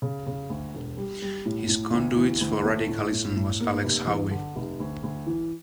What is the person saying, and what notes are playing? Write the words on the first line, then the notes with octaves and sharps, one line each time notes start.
His conduits for radicalism was Alex Howie.
C#3
C#3
D2
E1
G3
G3
A2
A2
D2
E3
D2
A3
A2
A2
A2
A#3
F1
E2
D3
F1
D2
D2
E3